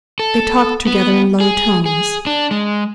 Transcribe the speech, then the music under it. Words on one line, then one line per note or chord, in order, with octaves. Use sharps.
They talked together in low tones.
A4
B3
G#4
G#4
D4
G#3